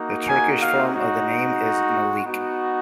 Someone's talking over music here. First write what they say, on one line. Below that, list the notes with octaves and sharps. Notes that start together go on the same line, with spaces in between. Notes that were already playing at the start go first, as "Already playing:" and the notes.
The Turkish form of the name is Melek.
Already playing: A#3 D#4 F#4
G#5
F5
G#3 D#4 F#4
B3 D#4 F#4